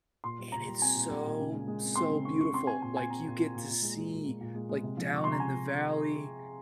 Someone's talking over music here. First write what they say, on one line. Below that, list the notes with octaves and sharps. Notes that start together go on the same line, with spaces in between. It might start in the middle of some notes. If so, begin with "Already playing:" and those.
and it's so, so beautiful. Like, you get to see, like, down in the valley,
A#2 C6
G3
A#2 A#5
G3
C4 G#5
A#2
G3
A#2
C#3
G#3
G#3
C4
C4 C6
C#3
C#3 C#6
C#3 C#6
C4 C6
C4 G#5
A#2 G#5
C4 G#5
C4 A#5
A#2
C4
A#2
A#2
G#3
G#3
A#2
A#2
A#2
G#3
G#3
C3
F3
C3 C#6
C3 C6
A#5
G#5